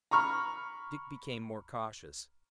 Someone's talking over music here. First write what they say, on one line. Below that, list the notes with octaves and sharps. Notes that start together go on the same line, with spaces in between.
Dick became more cautious.
A#5 B5 C#6 F6